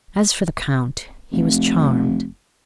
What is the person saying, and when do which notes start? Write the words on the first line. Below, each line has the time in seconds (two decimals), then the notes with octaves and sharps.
As for the Count, he was charmed.
1.32 F1